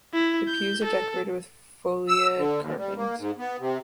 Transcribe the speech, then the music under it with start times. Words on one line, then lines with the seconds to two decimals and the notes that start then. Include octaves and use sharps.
The pews are decorated with foliate carvings.
0.14 E4
0.48 G6
0.83 A4
2.08 E6
2.37 D3
2.61 D#2
2.78 G3
2.96 A#3
3.19 G#2
3.38 B3
3.60 C3